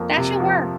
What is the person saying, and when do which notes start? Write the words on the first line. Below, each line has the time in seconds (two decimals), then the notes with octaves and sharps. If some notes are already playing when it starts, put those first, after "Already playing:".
That should work.
Already playing: F2 F3 A#3
0.17 C3
0.40 F3